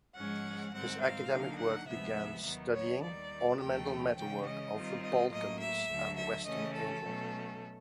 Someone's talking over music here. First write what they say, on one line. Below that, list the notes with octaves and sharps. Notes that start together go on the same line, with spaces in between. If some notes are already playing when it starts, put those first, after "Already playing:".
His academic work began studying ornamental metalwork of the Balkans and western Asia.
G#2 F3 G#3 C#4 F#5
G#2 D#3 G3 C4 F#5
F5
D3 F#3 A#3 D#4
F#5
D2 C3 F3 G#3 B3 E5
D#2 D#3 F#3 B3
C#5
D#2 D#3 G3 D5
D#2 C#3 F3 A3 G5
C#3 E3 G#3 C#4 G5
D#5
D#3 G3 C4 F4
D#5
A2 F#3 A#3 D#5
E5
D2 D3 F#3
E5
C#3 E3 A3 C#4 D#5
A4
B2 F#3 A3 C#4